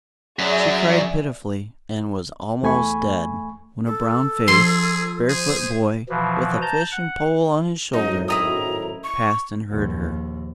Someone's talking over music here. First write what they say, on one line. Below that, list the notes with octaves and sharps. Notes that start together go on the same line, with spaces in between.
She cried pitifully, and was almost dead when a brown-faced, barefoot boy, with a fishing-pole on his shoulder, passed and heard her.
F#2 F#3 G#4 D5 E5
E2 A3 G#5 B5 C#6
A4
F3 G#4 C6
G#4 C5
B2 E3 F3
A5 A#5 G6
F#5
G#1 F#2 A2 D#4 D#5
E4 D#5 A#5 D#6
C#6
A#1 D#2